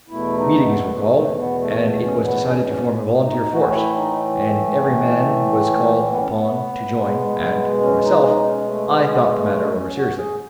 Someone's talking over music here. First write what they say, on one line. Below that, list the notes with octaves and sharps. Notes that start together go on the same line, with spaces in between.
Meetings were called, and it was decided to form a volunteer force, and every man was called upon to join, and, for myself, I thought the matter over seriously.
E2 B2 A3 E4
D#4
B3
A3
A3
B3
A3
A3
C#4
B3
C#4
C#4
D#4
A2 E3 A3 F#4
E4
D#4
A3
B3
C#4
B3
B2 G#3
C#4
D#4
D#4
C#4
A3
B3
B3
A3
A3
C#4
F#4
G#4